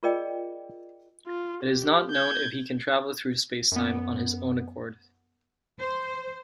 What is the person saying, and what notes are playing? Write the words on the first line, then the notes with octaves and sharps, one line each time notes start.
It is not known if he can travel through space-time on his own accord.
F4 G#4 A#4 D5 D#5 G5
F4
G4
G6 G#6
F#2 B3
C5